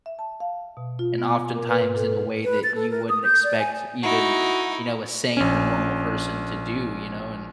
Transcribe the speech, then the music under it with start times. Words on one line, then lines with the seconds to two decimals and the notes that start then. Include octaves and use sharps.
and oftentimes in a way that you wouldn't expect even, you know, a sane or normal person to do, you know, and
0.06 E5
0.19 A5
0.40 F5
0.77 B2
0.99 F4
1.18 B3
1.55 A#4
1.69 B4
1.81 G#2
1.96 A4
2.44 B4
2.64 A6
2.75 A4
2.90 A#4
3.09 D#6
3.24 G6
3.44 D5
3.59 G#5
4.03 D#4 E4 F#4
5.37 A#1 C#4